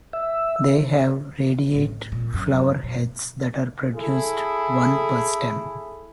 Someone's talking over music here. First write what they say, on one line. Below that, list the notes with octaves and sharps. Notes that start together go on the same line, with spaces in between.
They have radiate flower heads that are produced one per stem.
E5
A2 C#3
A#2
F#2
B2
E4 G#4 A4